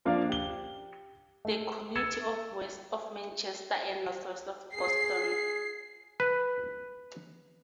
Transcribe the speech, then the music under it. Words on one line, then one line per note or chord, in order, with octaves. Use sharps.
The community is west of Manchester and northwest of Boston.
F3 A#3 D4 A#4 D5 F5
G4 G7
A3
E6 G#6 A6 C#7 E7
G#4 C7
B4